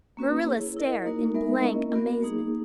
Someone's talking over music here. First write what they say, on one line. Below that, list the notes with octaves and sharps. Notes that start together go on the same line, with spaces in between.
Marilla stared in blank amazement.
A#3 C#4 F#4 B4
E4 G#4 C#5
E4 A#4 D#5
A#3 D#4 F#4 A#4
G#3 B3 D#4 A#4 E5
A#3 C#4 E4 A#4 D#5
B3 F#4 A#4
A#3 D#4 G#4